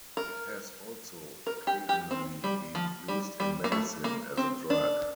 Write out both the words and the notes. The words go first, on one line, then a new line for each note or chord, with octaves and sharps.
It has also occasionally been used in medicine as a drug.
A#4
A#4
G4
G4
C4
G3
F3
G3
G3
A#3
A3
A#3
C4
D4